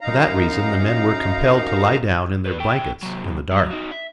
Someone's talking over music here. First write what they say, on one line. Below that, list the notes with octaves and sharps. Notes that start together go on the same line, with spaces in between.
For that reason the men were compelled to lie down in their blankets in the dark.
F#2 D#4 F5 A#5
G3 B4
A4 G5
C3 F#3
F#3
D#4 F#4
E5